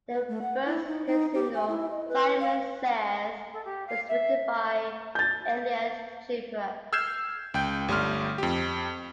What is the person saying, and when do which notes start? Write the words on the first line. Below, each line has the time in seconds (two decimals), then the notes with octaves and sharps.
Their first hit single, "Simon Says", was written by Elliot Chiprut.
0.12 B4
0.29 A3
0.42 F#5
0.65 E4
0.87 D#4
1.06 D#4
1.34 G4
1.55 G#5
1.69 E4
1.90 D#5
2.08 B4
2.40 F5
3.53 A4
3.65 G4
3.87 F5
4.09 E5
5.15 G6 A6
6.93 E6 F6 G6 G#6 C7 E7
7.54 C#2 G5 G6
7.88 G1 G3 A3 C6 F6
8.38 F2 G4